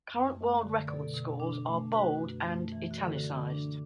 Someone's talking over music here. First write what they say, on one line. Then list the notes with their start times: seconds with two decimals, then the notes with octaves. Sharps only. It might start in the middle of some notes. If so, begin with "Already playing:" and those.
Current world record scores are bold and "italicized".
0.09 F#2
0.35 A3
0.61 D3
0.87 B2 A4 D5
1.14 B2
1.40 D4
1.67 A3
1.92 D4 F#4 B4
2.19 F#2
2.45 A3
2.72 E3
2.91 F#4
2.98 D3 A4
3.24 D3
3.50 D4